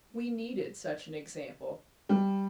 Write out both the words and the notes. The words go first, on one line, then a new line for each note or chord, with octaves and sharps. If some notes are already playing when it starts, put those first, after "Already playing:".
We needed such an example.
G3